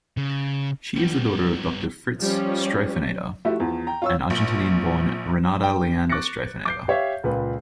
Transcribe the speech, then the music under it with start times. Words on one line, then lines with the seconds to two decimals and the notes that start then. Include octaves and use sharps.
She is the daughter of Doctor Fritz Streifeneder and Argentinian-born Renata Leander-Streifeneder.
0.17 C#3
0.96 G3 B3
2.19 F3 G3 C#4
3.45 F3 A3 E4 F#4 G4
3.60 E2 F3
3.87 G5 A#5
4.02 F4 C#5 E6
4.30 A#1
5.64 G5
6.10 C#6 D6 F#6 A6 A#6 C#7
6.65 D6 G6 C7
6.88 G4 C#5 E5 F5
7.24 C#2 A#2 A#3 B4